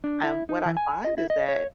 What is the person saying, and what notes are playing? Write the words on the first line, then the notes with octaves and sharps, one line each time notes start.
Um, what I find is that,
D4
E4
D#4
E3
G#5
D#5
E4
D#5
C#5